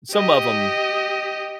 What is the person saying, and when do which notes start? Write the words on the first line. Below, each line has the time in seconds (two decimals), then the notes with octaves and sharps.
some of 'em
0.12 G4 D#5